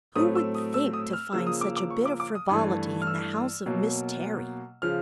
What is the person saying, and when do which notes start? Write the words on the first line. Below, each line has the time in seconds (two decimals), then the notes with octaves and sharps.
Who would think to find such a bit of frivolity in the house of Miss Terry!
0.16 A2 F#3 A3 C4 D#6
0.35 E6
0.55 D#6
0.74 E6
0.93 D#6
1.13 F6
1.32 C#3 F3 A#3 E6
1.47 D#6
1.61 D6
1.77 D6
1.90 C#6
2.06 D6
2.20 D6
2.35 D#6
2.49 G2 E3 A3
3.02 F6
3.07 E6
3.66 B2 F#3 A#3
4.82 C#3 F3 F6